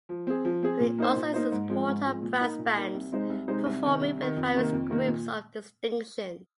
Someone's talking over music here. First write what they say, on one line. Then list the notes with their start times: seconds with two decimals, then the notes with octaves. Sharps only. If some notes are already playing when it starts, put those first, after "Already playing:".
He also is a supporter of brass bands, performing with various groups of distinction.
0.09 F3
0.27 C4 G#4
0.45 F3
0.63 C4 G#4
0.80 A#2
0.98 A#3 D#4 C5
1.16 A#2
1.34 A#3 D#4 C5
1.52 G#2
1.69 F3 G#3 C4
1.88 G#2
2.05 F3 G#3 C4
2.23 A#2
2.41 A#3 D#4 A#4
2.59 A#2
2.77 A#3 D#4 A#4
2.94 C2
3.12 C3 G#3 D#4 C5
3.30 C2
3.48 C3 G#3 D#4 C5
3.66 C2
3.83 C3 D#3
4.01 C2
4.19 C3 D#3
4.37 F2
4.54 C3 D#3 A#3
4.73 F2
4.90 C3 D#3 A#3
5.07 A#2